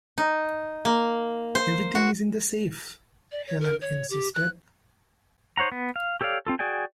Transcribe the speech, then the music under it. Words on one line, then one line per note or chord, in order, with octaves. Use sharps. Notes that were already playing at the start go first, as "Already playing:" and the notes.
"Everything is in the safe," Helene insisted.
D#4
A#3
C5
F#4
D5
C#5
A#4
C#5
G4
F#6
D#4 C5 C#5 F#5 A#5
B3
F5
G4 A4 C#5 D5 F5
C4 F4 A4
F#4 G#4 D5 G5 G#5